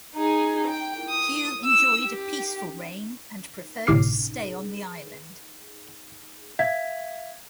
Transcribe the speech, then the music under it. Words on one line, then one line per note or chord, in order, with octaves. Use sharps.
Hugh enjoyed a peaceful reign, and preferred to stay on the island.
D#4 G#4
G5
D#6
E6
G4
G1 A2 C3 D6 F6 C7
E5 F5 G#6 B6